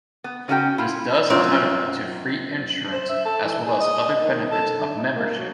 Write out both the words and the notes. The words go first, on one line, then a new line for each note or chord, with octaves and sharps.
This does entitle you to free insurance as well as other benefits of membership.
B3
C#3 C#4 F#4 A4 G5
E4 F4
F#2 C4 F4 C#5 D#5
C5
E5
A4
E3
G#4
D#5
D#3
A4
D3
D#4
A#3
F#3